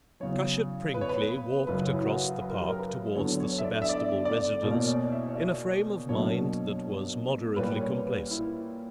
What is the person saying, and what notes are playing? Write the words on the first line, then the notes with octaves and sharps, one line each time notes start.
Cushat-Prinkly walked across the Park towards the Sebastable residence in a frame of mind that was moderately complacent.
E2 C#3 F#3 C#5
B4
C#5
B4
F#2 C#3 F#3 C#4 B4
E4
F#4
B4
A#4
G4
A#4
B4
E2 D3 F#3 C#5
C#5
E5
D5
E5
D5
D5
E2 B2 A#3 C#4 D5
D5
E5
C#5
D5
B2 F#3 A#3 D4 C#5
A#2 G3 A#3 C#4 B4
C#5
B4
E4